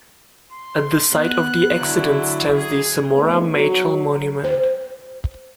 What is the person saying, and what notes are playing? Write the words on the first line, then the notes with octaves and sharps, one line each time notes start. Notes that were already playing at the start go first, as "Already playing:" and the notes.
At the site of the accident stands the Samora Machel Monument.
C6
B3 F#6
D3 F#3 E4
G#4 G#6
C#3 A3 B3 C4 D#4
F#3
C5